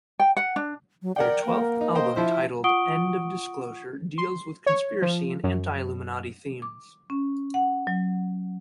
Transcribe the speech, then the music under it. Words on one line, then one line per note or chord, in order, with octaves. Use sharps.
Their twelfth album titled End of Disclosure deals with conspiracy and anti-Illuminati themes.
G5
F#5
D4
F#3
A#4 D5 F#5 G5
A#3
D#4
C5 D#5 G5
F3 E4 C5 E5
F4 F#5 C#6 D#6 D7 G7
C6
C#5
F3
F#2
D6
C#4
F#5
F#3